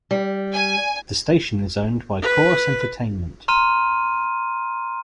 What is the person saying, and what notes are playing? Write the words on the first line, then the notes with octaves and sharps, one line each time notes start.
The station is owned by Corus Entertainment.
G3
G#5
B4
A#5 C6 F6 D#7